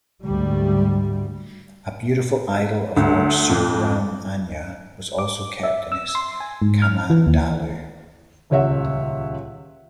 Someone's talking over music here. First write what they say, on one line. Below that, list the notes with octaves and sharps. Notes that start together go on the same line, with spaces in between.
A beautiful idol of Lord Subrahmanya was also kept in his kamandalu.
D2 G#2 G3
D2
F2
D6
E5
E6
C6
G#5
G#2
F6
E3
D#2
D#1 C#2 C#5 E5 F#5